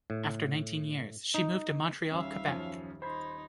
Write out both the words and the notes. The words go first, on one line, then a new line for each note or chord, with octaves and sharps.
After nineteen years, she moved to Montreal, Quebec.
A2
D#4
D#1 C#4 E5 F5 E6
F#2 F3 C#4
D#4 C5 B5 C6 G#6